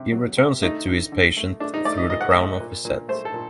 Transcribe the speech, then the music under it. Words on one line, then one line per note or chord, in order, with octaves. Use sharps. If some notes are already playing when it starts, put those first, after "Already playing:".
He returns it to his patient through the crown of his head.
Already playing: C3
F#3
C3
A3 D#4
D3
D3
A3
A3 D4
D#4
A3 D5
D#5
A#2 D#5
F#5
D#5
A3
A#2
A#2
A3 C5
A4
A#2